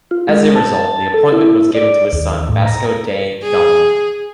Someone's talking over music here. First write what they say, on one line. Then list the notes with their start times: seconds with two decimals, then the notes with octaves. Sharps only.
As a result, the appointment was given to his son, Vasco da Gama.
0.11 F4
0.29 G#3
0.56 A5
1.14 A4
1.32 E4
1.75 D5
2.13 D#2
2.49 A2
2.66 A#5
3.42 G#4